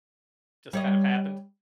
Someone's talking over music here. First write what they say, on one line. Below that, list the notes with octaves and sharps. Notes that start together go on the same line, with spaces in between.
just kind of happened?
G3 C#5 D#5